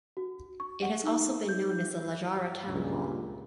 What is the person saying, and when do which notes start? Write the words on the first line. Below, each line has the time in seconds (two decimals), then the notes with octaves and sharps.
It has also been known as the La Jara Town Hall.
0.17 F#4
0.60 C#6
0.82 F#5
1.04 D#4
1.49 G6
2.67 C#2 G2 A#2